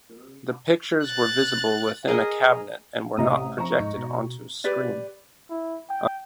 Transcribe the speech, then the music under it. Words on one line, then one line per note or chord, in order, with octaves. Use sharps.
The pictures were visible within a cabinet, and were not projected onto a screen.
F#6 A6
G#4 A#4 D#5
A1 C3 D#5 A#5 D#6
F3 A#5 C#6
G#2 D#4
B2
G4 B4 D5
E4
G5